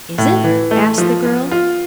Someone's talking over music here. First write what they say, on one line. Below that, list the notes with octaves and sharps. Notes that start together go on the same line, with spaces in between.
"Is it?" asked the girl.
A2
E3
A3
F3
F4
F4